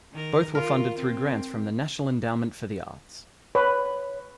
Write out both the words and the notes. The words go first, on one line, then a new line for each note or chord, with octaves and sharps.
Both were funded through grants from the National Endowment for the Arts.
D#3 A#4
F4 A#4
C4
B4 C#5